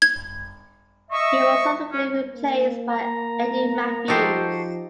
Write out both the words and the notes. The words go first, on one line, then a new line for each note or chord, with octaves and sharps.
He was subsequently replaced by Eddie Mathews.
G#6
D#5 E5 C#6
C#4
A#3
A#5
F3 D#4 F#4 G4 A4 C5